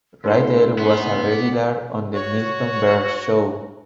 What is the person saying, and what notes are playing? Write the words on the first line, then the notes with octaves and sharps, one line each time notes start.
Rydell was a regular on The Milton Berle Show.
A3 D4 E4 A4 C6
B3 C#4 D#4 C6
D5
F#4 C#5